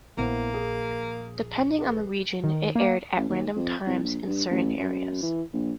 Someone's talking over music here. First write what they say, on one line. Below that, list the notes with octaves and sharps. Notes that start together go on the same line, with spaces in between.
Depending on the region, it aired at random times in certain areas.
A#1 A#3 B3 E4 C5
G#4
G#4 B4
D#3
A#3
A1
D#2
F2
C2
A#1
G2
A1
F#2
E3
A#1